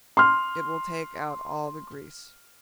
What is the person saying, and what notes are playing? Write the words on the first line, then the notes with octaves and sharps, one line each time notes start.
It will take out all the grease.
C6 F6